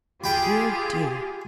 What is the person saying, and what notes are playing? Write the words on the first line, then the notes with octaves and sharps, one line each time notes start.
Dear! dear!
F4 G4 G#4 G5 B5